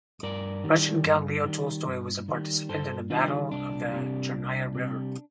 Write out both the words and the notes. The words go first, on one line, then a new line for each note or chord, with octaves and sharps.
Russian Count Leo Tolstoy was a participant in the Battle of the Chernaya River.
G2 A#4 D5
D#3 G3
G2
D#3 G3
G2
D#3 G3
G2 A4 C5
D#3 G3 D4 F4
C2 D4
C3 G3
C2
C3 G3